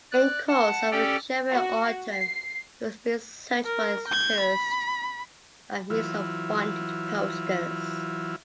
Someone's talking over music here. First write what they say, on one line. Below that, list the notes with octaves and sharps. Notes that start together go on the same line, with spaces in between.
In course of the German Autumn, he was being searched for as a terrorist by means of wanted posters.
D5 F#6
F#5 A5
C#4 G4 A4 D5 G5
F#4
C7
A#4
G6 G#6
B5
E3 F#3 E4 F4